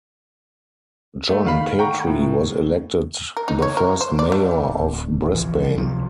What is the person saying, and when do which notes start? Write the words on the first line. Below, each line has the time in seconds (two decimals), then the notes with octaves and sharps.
John Petrie was elected the first mayor of Brisbane.
1.30 A3
1.45 D#3 F5 B5
1.78 F#5 G5 A#5 C#6
2.07 A2
3.37 A#4
3.48 D#4
3.62 C#5
3.77 A#4
4.01 C5
4.19 D5
4.32 A3
4.67 D1
5.34 B1 E3 F3
5.76 C#2 C3 F3